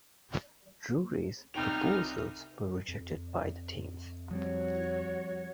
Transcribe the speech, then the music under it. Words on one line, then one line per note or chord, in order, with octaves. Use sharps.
Drewry's proposals were rejected by the teams.
C2 D#4 G5 F6 F7
F2
F3 G3 C4 F#4 C#5